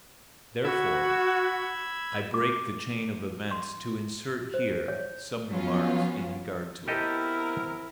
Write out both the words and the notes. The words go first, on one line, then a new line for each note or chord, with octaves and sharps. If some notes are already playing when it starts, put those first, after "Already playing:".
Therefore I break the chain of events to insert here some remarks in regard to it.
F#4 B5 E6 G#6
D6
C6
C5
C#5
F3 F#3 B3 C#4 F4
B3 C4 E4 G4 A4 A#4 D#5